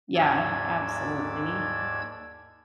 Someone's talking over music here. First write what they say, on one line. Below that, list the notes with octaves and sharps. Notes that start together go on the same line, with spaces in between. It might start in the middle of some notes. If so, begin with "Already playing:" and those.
Yeah, absolutely.
D#2 G#2 D5 A5 E6 G#6